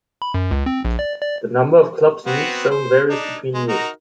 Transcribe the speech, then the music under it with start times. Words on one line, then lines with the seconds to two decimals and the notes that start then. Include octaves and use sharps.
The number of clubs in each zone varies between years.
0.22 B5
0.34 F#2
0.51 C#2
0.66 C4
0.85 A#1
0.99 D5
1.22 D5
2.26 B3 C4 F#4
2.71 C5
3.10 D4 D#4
3.54 G#3
3.69 D#4 F#4 A#4